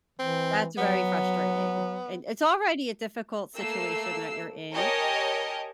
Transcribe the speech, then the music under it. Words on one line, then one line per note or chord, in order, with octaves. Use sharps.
that's very frustrating, and it's already a difficult situation that you're in,
E3 C4
F#3 B3
A3 A#3 E6 C7
G4 A#4 C#5 D#5 G#5 A5